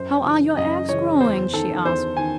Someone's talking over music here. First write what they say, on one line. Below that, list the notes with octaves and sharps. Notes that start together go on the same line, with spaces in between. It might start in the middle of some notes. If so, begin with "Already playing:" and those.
"How are your eggs growing?" she asked.
Already playing: F#2 C5
C#3 E3
F#2 D#5
C#3 E3 C#5
E2 C5
D#3 A4
E2 C5
D#3 G#5